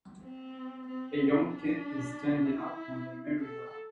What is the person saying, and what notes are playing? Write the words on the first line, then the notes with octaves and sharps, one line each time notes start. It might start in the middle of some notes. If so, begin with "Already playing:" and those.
A young kid is standing up on the merrygoround.
C4
C4
D4
E4
A4